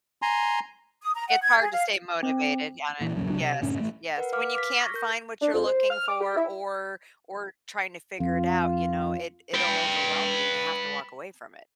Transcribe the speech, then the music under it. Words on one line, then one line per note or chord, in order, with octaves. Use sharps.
It's hard to stay motivated on it. Yes, yes. When you can't find what you're looking for or or trying to figure it out, you know, it it'll overwhelm you and you have to walk away from it.
G#5 A#5 C6
D#6
A#5
F#5
G#6
G#4
F5
C4
A#2 E3
D#1 A#1 F#2 C#3
C#2 F#3 D4
C3
D2 G2 A#2 C#4
A1 A3
A#4 B4 F#5
B4 F5 D6 F6
D6 F6 B6
C#6 A#6
A#4 G6
D4
F2
C5
F6
D6
G4
E4
F2 F4
B4 G5